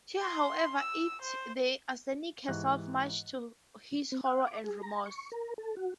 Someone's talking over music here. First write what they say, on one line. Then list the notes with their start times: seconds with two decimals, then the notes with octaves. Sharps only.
She however eats the arsenic herself, much to his horror and remorse.
0.19 C6
0.80 E6
1.22 C5
2.48 G#2 E3 G4 C#6 F#6
4.12 C4
4.26 F#5
4.47 D6
4.64 G#4
4.82 A#5
5.06 C#6
5.32 A#4
5.58 A4
5.76 F#4